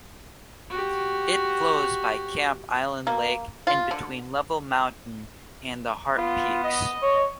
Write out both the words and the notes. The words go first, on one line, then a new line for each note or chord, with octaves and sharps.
It flows by Camp Island Lake and between Level Mountain and the Heart Peaks.
F#4 G4
A#3
F4
D3
B3 F4
D#5
C#5